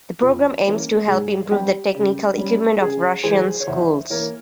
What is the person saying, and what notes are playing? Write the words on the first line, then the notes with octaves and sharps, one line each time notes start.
The program aims to help improve the technical equipment of Russian schools.
F2
E3 A#3 C#4
G#2 G#4
G3 C4 G4
C#3
G3 C#4
C#3 G#4
E3 G#3 G#4 C5
C#5
E2 C5 E5
E3 A#3 A#4 C#5